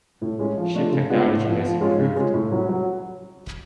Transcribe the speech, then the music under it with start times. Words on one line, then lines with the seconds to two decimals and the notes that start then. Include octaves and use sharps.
Ship technology has improved.
0.22 A2
0.39 G#3 C#4
0.57 F3
0.75 A3 D4 F4
0.92 C#3
1.10 G#3 B3 D4 F4
1.28 A2
1.45 F3 B3
1.63 F3
1.81 G#3 C#4 F4
1.98 C#3
2.16 G#3 C#4 F4
2.34 A2
2.52 F#3 C#4
2.69 F#3